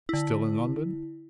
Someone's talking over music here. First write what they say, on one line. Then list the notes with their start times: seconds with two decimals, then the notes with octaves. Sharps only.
"Still in London?"
0.09 D3 E4